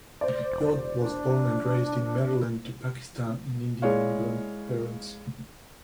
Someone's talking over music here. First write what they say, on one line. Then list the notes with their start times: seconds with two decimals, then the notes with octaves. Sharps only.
Yodh was born and raised in Maryland to Pakistan and Indian immigrant parents.
0.21 C5 D5
0.52 E1
0.95 D4
3.82 G#3 E4 G#4 C#5 D5 F5